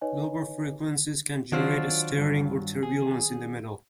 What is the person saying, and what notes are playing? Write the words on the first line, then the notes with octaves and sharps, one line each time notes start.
Lower frequencies can generate stirring or turbulence in the metal.
D#4 B4 C#5 D#5 G#5
D#3 F#3 D4 F4 C5
G2
G#4